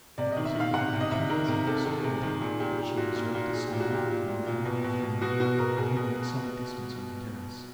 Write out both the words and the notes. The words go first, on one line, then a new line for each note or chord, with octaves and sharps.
It was in one of these moments of obscurity, that she observed a small and lambent flame, moving at some distance on the terrace.
C3 D5
D#3 D#5
E5
D#3 F5
C3 F#5
C3
D#5
C3 E5
D#3 A#4
C3 A#4
C3 A4
D#3 A4
C3 G#4
G#4
D#3
G#4
A#2 G#4
A#2 G4
A#2 G4
A#2 F#4
A#2 F4
A#2 F#4
A#2 G#4
G4
A#2
F#4
A#2 G4
A#2
A#2
A#2
B2
B2
B2
B2 F#4
B2 F#4
B2 A#4
B2 G#4
B2